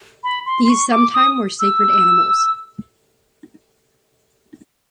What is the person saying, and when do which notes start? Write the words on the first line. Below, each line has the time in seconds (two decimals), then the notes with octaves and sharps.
These sometimes were sacred animals.
0.24 B5
0.46 C6
0.65 C6
0.69 C#6
0.91 D6
1.14 D#6
1.60 E6